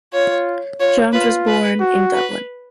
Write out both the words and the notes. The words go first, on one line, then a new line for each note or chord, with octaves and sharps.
Jones was born in Dublin.
F4 C#5
F4 C#5
F4 B4
B4
F#4
B4